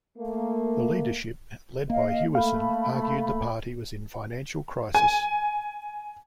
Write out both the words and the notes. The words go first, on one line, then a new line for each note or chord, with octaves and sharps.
The leadership led by Hewison argued the Party was in financial crisis.
A3 A#3
A#3 D#5 F5
A3 F5 B5
G#5